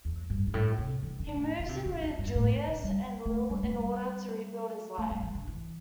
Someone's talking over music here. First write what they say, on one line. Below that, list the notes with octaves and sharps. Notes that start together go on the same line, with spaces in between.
He moves in with Julius and Lil in order to rebuild his life.
E2
G2
G2
A2
C3
E3
D3
A2
D3
C3
D3
E2
G2
A2
D3
G3
A3
G3
A3
G3
A3
G3
E3
D3
E3